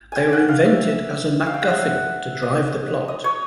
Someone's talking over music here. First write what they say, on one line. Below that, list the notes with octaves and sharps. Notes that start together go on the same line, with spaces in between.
They were invented as a MacGuffin to drive the plot.
G5 G#5
F#5
F5
E5
F5
G5
F#5
E5
D#5
D#5
C#5